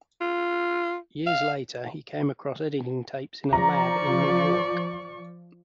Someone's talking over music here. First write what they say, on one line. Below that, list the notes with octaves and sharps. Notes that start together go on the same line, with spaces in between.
Years later, he came across editing tapes in a lab in New York.
F4
F5
F3 D5 A#5 C#6